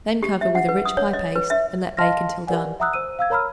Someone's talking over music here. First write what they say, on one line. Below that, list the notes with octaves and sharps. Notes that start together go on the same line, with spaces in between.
Then cover with a rich pie-paste and let bake until done.
G4
E5
F#5
B4
D#6
C#5
D#5
B4
E5
D#5 F5 A5 C6 F6 A#6
G4 A#4 B4 D5 F#5 G#5
E5 F#5 A#5 D#6 E6 F#6
C5 E6 D#7
F5 E6 G#6
A#4 C#5 A#5 B5 E6 F6